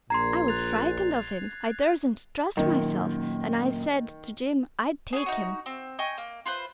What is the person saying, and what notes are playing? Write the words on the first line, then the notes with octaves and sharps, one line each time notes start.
I was frightened of him. I duresn't trust myself, and I said to Jim I'd take him.
A#1 A#2 A#5 C6 G#6 C7
F#6 A6 F7
F#2 A#2 D#3
G#4 B4 C#5
D#4 F#4
C4
D#5 G5 G#5 C#6
A#3
F4 B4 C5